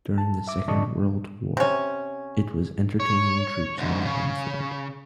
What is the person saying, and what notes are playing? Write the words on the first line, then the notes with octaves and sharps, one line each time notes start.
During the Second World War it was entertaining troops on the home front.
A5
E5 D6
F2 D3 D5 D#5 A5 C#6
C3 C#4
C#5
D2 G#2
C#3